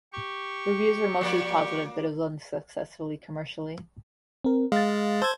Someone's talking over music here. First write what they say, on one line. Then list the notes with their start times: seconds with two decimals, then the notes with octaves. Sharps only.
Reviews were mostly positive, but it was unsuccessful commercially.
0.13 G4 C#6
1.21 F3 A#3 D5
4.44 C4 A#4
4.72 G#3 F5 A6
5.22 C5 A5 E6 G#6